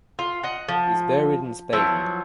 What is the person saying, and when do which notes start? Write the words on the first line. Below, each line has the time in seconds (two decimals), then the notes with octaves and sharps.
He is buried in Spain.
0.19 F4
0.43 D#5 F#5
0.68 F3
1.73 F3 F#3 B3 E4